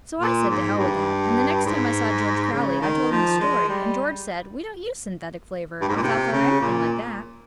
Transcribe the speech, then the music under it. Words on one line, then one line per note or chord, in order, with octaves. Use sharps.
So I said to hell with that and the next time I saw George Crowley I told him the story and George said, "We don't use synthetic flavor, alfalfa or anything like that."
A#2
G#2
G2
G#2
C#3
D#3
F3
G#3
G3
G2
G#2
A#2
C3
C#3
A#2